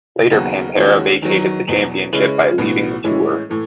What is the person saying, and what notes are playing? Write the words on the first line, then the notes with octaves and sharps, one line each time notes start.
Later Pantera vacated the championship by leaving the tour.
D#2 C#3 F#3 B3 F#4
D#2 D#3 G#3 C#4 F#4
E2 D#3 F#3
E2 B2 F#3
C#3 G#3 C#4 E4 B4
B1 A2 E3 B3 F#4
A2 E3 G#3 C#4 E4
A2 E3 A3